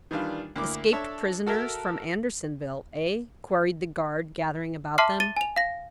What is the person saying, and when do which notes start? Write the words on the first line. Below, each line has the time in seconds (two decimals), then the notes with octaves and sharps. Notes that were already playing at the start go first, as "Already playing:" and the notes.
"Escaped prisoners from Andersonville, eh?" queried the guard gathering about them.
0.11 D#3 E3 G3 D4 F4
0.56 D2 A#3 E4 D6
0.92 D4 A4 C#5 E5
1.47 F#4 A4 A#4 E5
4.98 E5 A5 C6 D6 F6 C7
5.20 A6 D#7 G7
5.37 G#5 F7
5.56 F5 A#6